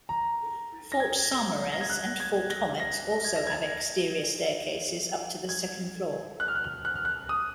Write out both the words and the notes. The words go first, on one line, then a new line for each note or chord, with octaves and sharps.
Fort Saumarez and Fort Hommet also have exterior staircases up to the second floor.
A#5
A#6
G#6
A#6
G#6
F#6
G#6
A#6
A#6
G#6
A#6
G#6
G#6
F#6
F6
F#6
F#6
F6
F#6
D#6